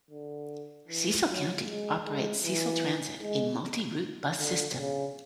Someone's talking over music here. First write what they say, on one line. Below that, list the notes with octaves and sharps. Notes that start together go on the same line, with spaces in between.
Cecil County operates Cecil Transit, a multi-route bus system.
D3
E3
F#3
G#3
G#3
E3
G#3
D3
C#3